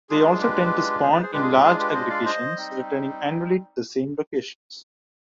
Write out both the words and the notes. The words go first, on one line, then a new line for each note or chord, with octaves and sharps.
They also tend to spawn in large aggregations, returning annually to the same locations.
G#3 D4 F4 G#4
G#4
G4 B4
G#4 C5
B4 D5
G#4 C5
G#3 D4 F4 G4 B4
G#4
G4
G#4
G4 B4
C5 D#5
D5 F5
C5 D#5
G3 C4 D#4